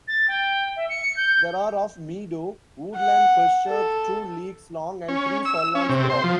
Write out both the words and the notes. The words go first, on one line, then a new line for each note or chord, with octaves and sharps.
There are of meadow, woodland pasture two leagues long and three furlongs broad.
A6
G5
E5
C#7
G6
F#5
A4
C#4
E6
C#4
C3
C5
F3